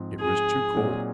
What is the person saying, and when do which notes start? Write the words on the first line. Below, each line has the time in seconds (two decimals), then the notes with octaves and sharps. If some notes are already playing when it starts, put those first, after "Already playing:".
It was too cold.
Already playing: G#2 F3 C4
0.20 G#4
0.74 A#2 F#3 C4 D#4